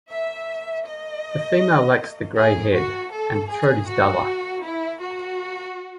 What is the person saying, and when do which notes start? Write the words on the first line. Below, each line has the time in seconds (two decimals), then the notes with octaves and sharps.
The female lacks the grey head, and the throat is duller.
0.11 E5
0.86 D#5
2.37 G#4
2.74 F#4
3.12 A4
3.50 G#4
3.88 F#4
4.63 E4
5.01 F#4